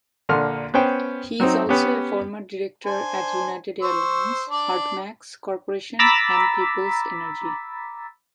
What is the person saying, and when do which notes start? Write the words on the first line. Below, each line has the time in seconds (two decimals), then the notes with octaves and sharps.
He is also a former director at United Airlines, Hartmarx Corporation and Peoples Energy.
0.29 A#1 D3 C6 F6
0.74 B3 C#4 C5 G5
1.40 F#3 C4 D#4
1.69 B3 C#4 G4
2.86 D4 C5 G#5
3.82 C5 C#6 E6
4.49 D4 D5
5.99 A#5 B5 D6 E6 A6 B6